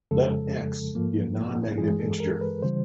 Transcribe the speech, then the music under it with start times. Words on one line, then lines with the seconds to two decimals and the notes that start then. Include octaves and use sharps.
Let "X" be a non-negative integer.
0.11 F2 C#3 F3 G#3 A4
0.95 G#2 F3 A#3
1.78 G2 E3 G#3 G#4
1.99 A4
2.20 A#4
2.41 B4
2.62 C#3 E3 G3 C5